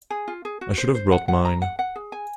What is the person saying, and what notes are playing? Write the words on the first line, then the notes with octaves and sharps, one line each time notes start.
I should have brought mine.
G#4
F4
G#4
F#4
C5
C5
F#5
F#5
A#5
F#5
F#5
G#4
G#5